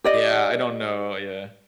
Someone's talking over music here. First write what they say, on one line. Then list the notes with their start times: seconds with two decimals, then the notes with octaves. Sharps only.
Yeah, I don't know. Yeah.
0.04 G4 D5 D#5